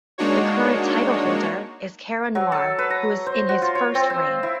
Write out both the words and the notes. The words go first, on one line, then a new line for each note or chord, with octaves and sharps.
The current title holder is Cara Noir who is in his first reign.
G#3 A#3 D4 D#4 F#4 C#5
F#3
A4
B4
A#5
C5
F#4
F4
C#5
C4
C5
E4